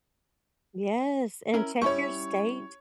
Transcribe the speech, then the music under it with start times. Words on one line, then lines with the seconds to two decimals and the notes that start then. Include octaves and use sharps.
Yes, and check your state
1.54 C#4 E4 A#4
1.82 G3 C#4 E4 C#5 C#6